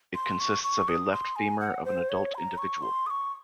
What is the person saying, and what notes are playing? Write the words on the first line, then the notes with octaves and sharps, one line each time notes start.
It consists of a left femur of an adult individual.
C6
C#6
C#6
D#6
C6
G#5
F#5
C5
C#5
C6
A#5
C#6
C6
D#6
C#6